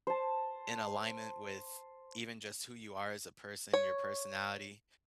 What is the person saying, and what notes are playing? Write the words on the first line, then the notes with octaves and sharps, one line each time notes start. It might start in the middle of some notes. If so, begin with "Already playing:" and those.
in alignment with even just who you are as a person, your personality,
C5 A5
C#5